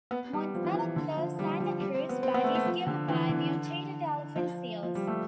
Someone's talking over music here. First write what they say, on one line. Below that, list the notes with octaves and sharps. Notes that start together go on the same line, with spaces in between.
Montana kills Santa Cruz, but is killed by mutated elephant seals.
B3
G3
F3
E3
E3
D3
F3
G3
F3
G3
C4
B3
C4
B3
A3
A3
F3
D3
E3
D3
F3
F3
G3
A3